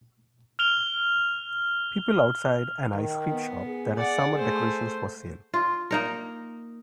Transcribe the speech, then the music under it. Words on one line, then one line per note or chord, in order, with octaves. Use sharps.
People outside an ice cream shop that has summer decorations for sale.
F6 F7 G7
D#3
B3
G#4
D5 F#5
A3 C5
F4
A#3 D#4 A#4